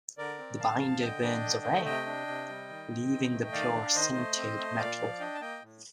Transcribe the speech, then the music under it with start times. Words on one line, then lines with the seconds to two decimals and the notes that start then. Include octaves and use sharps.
The binder burns away, leaving the pure sintered metal.
0.18 D3 A#4 D5
0.39 C4
0.60 D3 F5 A5
0.81 F3
1.01 D3 D#5 G5
1.22 D4
1.44 D3
1.64 A3
1.85 C3 D#5 G5
2.06 D4
2.27 C3
2.49 G3
2.69 D#3
2.90 C4
3.11 D#3
3.31 A3
3.52 D#3 D5 F5
3.74 D4
3.95 D#3 C5 D#5
4.16 A3
4.36 C4
4.57 A3
4.78 A#2 D5 F5
4.99 F3
5.20 D4 D#5 G5
5.35 A5
5.41 A#3 D#5 G5
5.62 A2